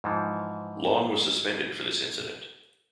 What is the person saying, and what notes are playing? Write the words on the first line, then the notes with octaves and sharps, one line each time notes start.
Long was suspended for this incident.
G#2 E3 F3